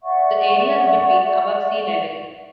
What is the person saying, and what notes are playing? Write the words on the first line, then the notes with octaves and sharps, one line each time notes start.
The area is between above sea level.
D5 E5 F#5 C#6